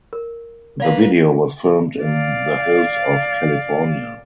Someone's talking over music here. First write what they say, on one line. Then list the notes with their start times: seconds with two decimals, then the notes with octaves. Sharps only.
The video was filmed in "the hills of California".
0.13 A#4
0.80 A#3 B4 D5 F5
2.03 D5 F5